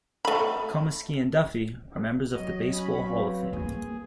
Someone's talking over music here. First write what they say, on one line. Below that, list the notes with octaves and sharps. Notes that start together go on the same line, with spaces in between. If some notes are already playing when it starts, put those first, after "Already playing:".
Comiskey and Duffy are members of the Baseball Hall of Fame.
A3 B5
F#3 D#5
C#4 B5
C4 B4 F5 C#6
A#3 G#4